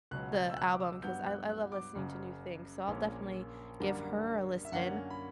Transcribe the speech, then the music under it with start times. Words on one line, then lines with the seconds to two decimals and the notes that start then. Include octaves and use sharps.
the album 'cause I I love listening to new things, so I'll definitely give her a listen.
0.11 C#2 B2 F#3 C#4 F#6
0.34 G6
0.50 E6
0.58 F#6
0.70 D6
0.80 E6
1.03 G2 F#3 B3 G6
1.27 F#6
1.49 F#6
1.72 D6
1.95 F#1 F#2 C#3
2.88 A#1 A#2 A#3 C#4
3.80 F#2 D3 G3 A#3 A#5
4.65 E5
4.72 F#2 D3 A#3 C#4 F#5
5.10 B5